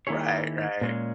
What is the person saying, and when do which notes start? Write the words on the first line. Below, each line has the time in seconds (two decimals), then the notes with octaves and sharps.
Right, right.
0.07 D#3 A#3 E4 G#4 C#5
0.81 A#2 G#3 C#4 G#4